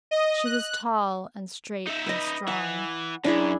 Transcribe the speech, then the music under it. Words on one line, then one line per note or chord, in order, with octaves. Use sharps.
She was tall and straight and strong.
D#5
F#6
D#4 E5
B4 D#5
E3 F#5
F#2 D4 E4 G#4